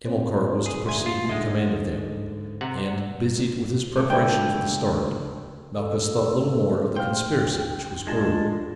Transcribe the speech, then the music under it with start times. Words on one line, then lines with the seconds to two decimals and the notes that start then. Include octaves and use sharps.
Hamilcar was to proceed in command of them, and, busied with his preparation for the start, Malchus thought little more of the conspiracy which was brewing.
0.05 C4 C5 C#5
0.66 G#4
0.86 D2 G2 G#5 C6
1.06 F4
1.29 G#2 D3 G#3 D#5 E5 F#5
2.61 C3 F#5 A#5
3.96 A3 A#3
4.10 C#2 D3 A3 E4 G5
5.76 A4
6.96 C5 F5 G5 F6
8.07 G#3 D4 F4 G#4 A5